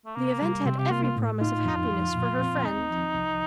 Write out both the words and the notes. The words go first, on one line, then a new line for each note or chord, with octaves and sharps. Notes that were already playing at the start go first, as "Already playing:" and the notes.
The event had every promise of happiness for her friend.
A3
C3 A#3
G3
C3 C4
G4
A#3 F4
F4
A2
D#4 F4
F2
F3
A#2
C4
D#2 D#4
F3
C2